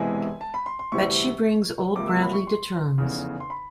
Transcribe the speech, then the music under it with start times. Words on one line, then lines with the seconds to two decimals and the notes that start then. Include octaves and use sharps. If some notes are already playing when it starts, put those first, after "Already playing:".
Bet she brings old Bradley to terms.
Already playing: E1 E2 C3 E3 G#3 G#5
0.41 A5
0.54 B5
0.66 C6
0.79 C6
0.92 D2 C3 E3 G3 C4 C#6
1.95 C#2 C3 F3 A#3 D6
2.08 E6
2.21 B5
2.33 C#6
2.47 C6
2.98 F1 E2 C#3
3.40 C6
3.50 B5